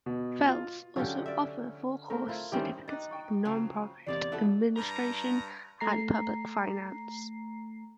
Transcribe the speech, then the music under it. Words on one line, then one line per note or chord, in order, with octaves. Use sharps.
Fels also offers four-course certificates in Nonprofit Administration and Public Finance.
B2
F4
D3 F#3 C#4 F4 G4
D5 E5
A3 C4 A#4
E4 F4
D#3 E3 G3 C4 C#4 G4
D#4 D6 F#6 A6
G5 C#6
C#3 F3 F#3
E2 C3 G3 G#3 A#3 C4 D5
F#3 E4 A4
G2 A#5
A3 A#5 C7